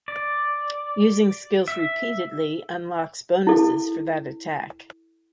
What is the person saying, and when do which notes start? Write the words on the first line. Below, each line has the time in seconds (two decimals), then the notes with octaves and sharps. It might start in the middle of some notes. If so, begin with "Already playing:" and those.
Using skills repeatedly unlocks bonuses for that attack.
0.08 D5
1.68 E5
3.47 E4 A4